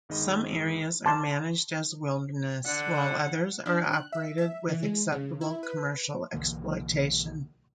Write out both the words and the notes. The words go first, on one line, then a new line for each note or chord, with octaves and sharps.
Some areas are managed as wilderness, while others are operated with acceptable commercial exploitation.
G1 D#3 G#3 D#5 B5
A5 C6 D6
D3 F#5
D4
F#6
E5
E5
E3
G#3
C#3
E4
B4
B1 D3 E3 A#3